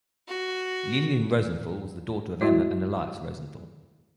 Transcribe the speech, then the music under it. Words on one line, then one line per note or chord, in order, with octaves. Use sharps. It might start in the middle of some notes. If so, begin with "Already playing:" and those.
Lillian Rosenthal was the daughter of Emma and Elias Rosenthal.
F#4
G3 G#3 E4 F#4 E5